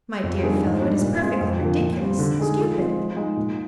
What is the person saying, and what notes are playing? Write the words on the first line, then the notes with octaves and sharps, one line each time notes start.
My dear fellow, it is perfectly ridiculous--stupid!
F2
D#3 G3 D4 G#4
G#2
G3 D4
A#2
G#3 C4 F4
F2
D3 F3 A#3
A#2
G3 C4 G4
D3
G#3 D#4 G#4
F3
G#3 C4 F4
F3
G#3 D#4
A#2